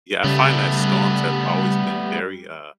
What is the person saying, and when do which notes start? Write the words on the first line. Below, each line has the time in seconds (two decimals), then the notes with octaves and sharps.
Yeah, I find that storms have always been very, uh,
0.24 C#3 G3 A3 B3